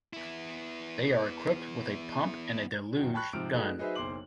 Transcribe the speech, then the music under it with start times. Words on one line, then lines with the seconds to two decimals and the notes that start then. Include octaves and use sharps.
They are equipped with a pump and a deluge gun.
0.13 B3 E4
2.97 F#2 D#3 F#4
3.14 G5 A5 B5 C#6 F#6
3.33 G#2 C3 F3 F6 D7
3.54 A3 D4 D#4 F#4 G#4 B4
3.78 F#3 D#4 G#4 B4 C5 E5
3.95 F#1 B1 C5 C6 D6 F#7